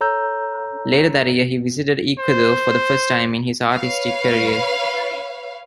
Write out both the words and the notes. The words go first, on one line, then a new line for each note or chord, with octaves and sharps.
Later that year he visited Ecuador for the first time in his artistic career.
A4 C#5 A#5 E6 G6
C5
B4 C#5 F5